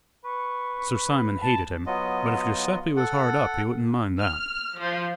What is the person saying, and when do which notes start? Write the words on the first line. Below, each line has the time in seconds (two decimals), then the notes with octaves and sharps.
Sir Simon hated him, but if Guiseppe was hard up he wouldn't mind that.
0.25 B4 C#6
1.42 A5
1.87 F#3 B3 F4 D#5
2.96 A4 F#5
4.19 F6
4.78 F3